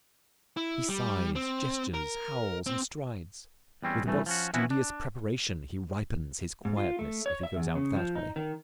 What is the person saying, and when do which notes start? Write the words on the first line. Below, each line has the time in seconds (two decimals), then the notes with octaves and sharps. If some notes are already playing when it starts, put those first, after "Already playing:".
He sighs, gestures, howls, and strides. With what studious preparation he ripens his quietness, if he goes out that way.
0.57 E4
0.89 G3
1.35 C4
1.94 A#4
2.66 C4
3.83 E2 G3 C4 C#4
4.06 C2 G2 E3 A3
4.26 F3 C#4 F#4
4.54 E3 F3 B3 C#4 E4 F#4
4.71 D4
6.65 G#2
6.77 F4
6.99 A3
7.26 C#5
7.43 E5
7.56 E2
7.75 C#3
7.96 F3
8.16 D#4
8.36 D#3